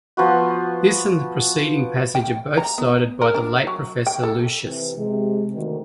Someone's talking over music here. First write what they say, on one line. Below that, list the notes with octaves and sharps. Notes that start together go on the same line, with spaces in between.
This and the preceding passage are both cited by the late Professor Lucius.
F3 B3 F#4
G5
A#5
B3
A#4
D4
F#3
G5
A4
C3 E3
C3 G#3
D2 D#3